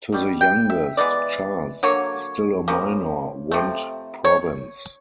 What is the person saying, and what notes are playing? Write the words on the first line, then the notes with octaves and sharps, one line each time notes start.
To the youngest, Charles, still a minor, went Provence.
B2 G3
G5
E5
E3 G#3 B3 D5
D3 F#3 A#3 C#5
C#3 F3 A#3
C3 F3 A3
C#5